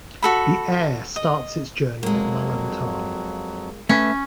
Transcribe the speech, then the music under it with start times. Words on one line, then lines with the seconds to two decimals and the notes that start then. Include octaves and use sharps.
The Aire starts its journey at Malham Tarn.
0.22 F#4 A4 B5
1.16 D#5
2.03 F2 F#3 G#3 A#3
3.89 A3 C#4 B4 E5